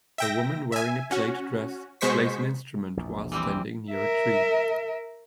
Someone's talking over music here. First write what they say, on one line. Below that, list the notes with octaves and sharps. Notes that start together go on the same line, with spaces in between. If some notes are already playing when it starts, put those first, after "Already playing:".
A woman wearing a plaid dress plays an instrument while standing near a tree.
E5 G5 A#6
E5 G#5
C#4 F#4
B2 G#3 C5 C#6 B6
A#1 E2
E3 G3 C4
A#4 E5